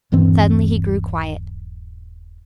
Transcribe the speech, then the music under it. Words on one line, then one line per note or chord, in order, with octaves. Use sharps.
Suddenly he grew quiet.
D#1 G2 E3 C4